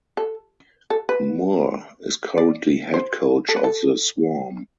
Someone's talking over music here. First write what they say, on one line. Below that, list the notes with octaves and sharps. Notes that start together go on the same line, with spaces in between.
Moore is currently head coach of the Swarm.
A4
A4
B4
D5
C5
A4
B4
A4